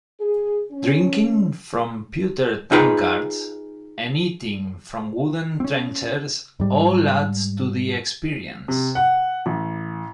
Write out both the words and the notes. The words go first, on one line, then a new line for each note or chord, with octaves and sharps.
Drinking from pewter tankards and eating from wooden trencher all adds to the experience.
G#4
C#4
D#4 F4 G#4 B4
C4 C#4
G#2 G3
C3
F#5
A1